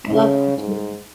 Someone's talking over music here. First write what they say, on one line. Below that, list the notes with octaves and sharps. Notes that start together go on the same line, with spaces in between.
I love watching.
C#3
G#2